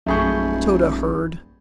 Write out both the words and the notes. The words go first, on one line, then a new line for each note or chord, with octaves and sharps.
Tode heard.
D#1 A#1 F#2 A3 G#4 B5 C#6 G6